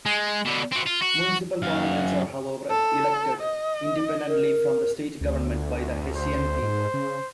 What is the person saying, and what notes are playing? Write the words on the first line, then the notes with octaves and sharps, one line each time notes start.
Municipal parliaments are, however, elected independently from the state government by the Hessian people.
G#3
B2 D3
C4 F#4
F4
F#4
F#2 F5
A4
D#5
A#4
D2
C5
G#2
C#3